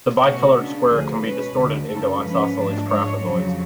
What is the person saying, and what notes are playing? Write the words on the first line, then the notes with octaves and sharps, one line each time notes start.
The bicolored square can be distorted into isosceles trapezoids.
B2 A3 C#4 F#4
C#3 G#3 B3 D4
D2 D3 F3 G#4
B2 G#3 C#4 B4
D2 D3 G#3
F#2 C#3 F#3 C#4 A4
G#2 F3 G#3 C#4 B4
G#2 F3 A3 D4
G#2 G#3 D4 C#5
F2 C#3 F#3